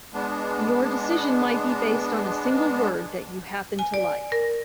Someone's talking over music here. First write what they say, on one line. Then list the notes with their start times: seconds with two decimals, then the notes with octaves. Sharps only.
Your decision might be based on a single word that you happen to like.
0.14 G#3 B3 D4
3.79 G#5
3.94 D5
4.32 A#4